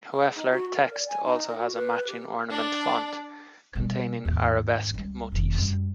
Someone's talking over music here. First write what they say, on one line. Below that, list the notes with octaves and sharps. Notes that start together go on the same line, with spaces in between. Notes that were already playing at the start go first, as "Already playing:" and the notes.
Hoefler Text also has a matching ornament font containing arabesque motifs.
G#4
D#4
F#4
A#4
D5
G#5
D#4
A#4
F#4
B4
G4
D4 D5
B2 G3
D#2 G#2
C#2 G3
F1 D#3
F#2 G3